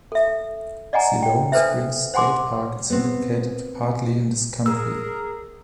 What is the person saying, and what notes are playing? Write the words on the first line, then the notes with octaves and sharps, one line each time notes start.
Siloam Springs State Park is located partly in this county.
A4 E5
D5 D#5 F#5 G#5 A#5
G5
D4 A4 B4 C5 E5
C5 F#5 G#5 C6 D6
B3 C4
G#4 A#4 E6